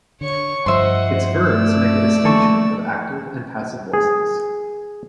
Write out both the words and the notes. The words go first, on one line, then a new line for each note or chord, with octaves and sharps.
Its verbs make a distinction of active and passive voices.
D3 C#5 C#6
G2 F3 C5 D#5 E5 F#5 C6
A3 D5 E6
F3 A#3 A4 C#6
G#4